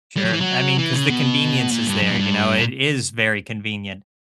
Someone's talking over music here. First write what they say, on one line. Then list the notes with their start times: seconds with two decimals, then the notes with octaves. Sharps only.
Sure, I mean, 'cause the convenience is there, you know, it is very convenient
0.17 G3
0.25 F#3
0.33 E3
0.40 F#3
0.78 E3
0.94 C#3
1.09 B2
1.71 A#2
1.86 G2
2.02 F#2
2.11 A#2
2.17 G2
2.58 A#2